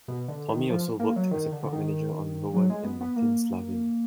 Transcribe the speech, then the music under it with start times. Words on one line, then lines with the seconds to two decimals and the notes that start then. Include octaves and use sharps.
Tommy also worked as a prop manager on "Rowan and Martin's Laugh-In".
0.08 B2
0.28 D3
0.49 D#3
0.70 F3
1.00 A#3
1.16 F#3
1.31 D#3
1.52 D3
1.63 D3
1.72 D#3
2.54 F#3
2.70 G#3
2.84 B3
3.01 B3
3.16 A#3